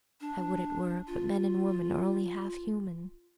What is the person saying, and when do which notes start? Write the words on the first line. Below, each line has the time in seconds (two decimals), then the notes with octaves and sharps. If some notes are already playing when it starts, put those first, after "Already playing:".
I would it were; but men and women are only half human.
0.21 D4
1.07 F4